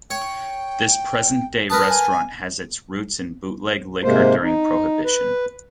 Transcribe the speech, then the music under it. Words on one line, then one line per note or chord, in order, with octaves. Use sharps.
This present day restaurant has its roots in bootleg liquor during Prohibition.
C#5 G5
A#4 B4 A5 D#6
G#5
G#2 C3 G#3 A#3 C5
D#4
B4